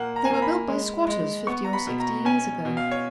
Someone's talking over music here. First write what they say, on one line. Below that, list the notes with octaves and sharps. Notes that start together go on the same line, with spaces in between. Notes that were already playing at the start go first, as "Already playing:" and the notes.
'They were built by squatters fifty or sixty years ago.
Already playing: A#2 A#3 F#5
A#5
G#5
A#3 A#5
B5
G#3
G#3
B3 C#6
A#5
B5
B2
A#5
C#4 G#5
B2
F5
C#5